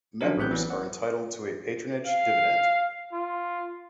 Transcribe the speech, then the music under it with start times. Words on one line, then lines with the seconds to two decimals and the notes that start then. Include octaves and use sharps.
Members are entitled to a patronage dividend.
0.21 F3 F#3 C#4 D4 A#4
0.37 A1 A2 C4 F#6 G6
0.51 E3 B3 C#4
0.70 F#5
2.07 F5
3.13 F4